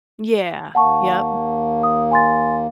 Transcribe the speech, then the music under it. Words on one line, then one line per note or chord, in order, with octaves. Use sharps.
Yeah. Yep.
D#2 A#3 F#5 A5 C#6
D#6
G#5 C6 A6